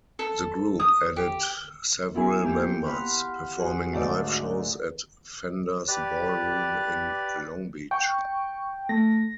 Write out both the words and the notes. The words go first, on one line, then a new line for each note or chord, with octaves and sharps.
The group added several members, performing live shows at Fenders Ballroom in Long Beach.
A4
D#6
G4
B3 E4 G#4 G#5
A#3 G4
F5 F#5 B5 C6 F6
F#4 G#4
D2 G#2 G#3 D5
G4 B4 D5
G5 C#6
A3 A#6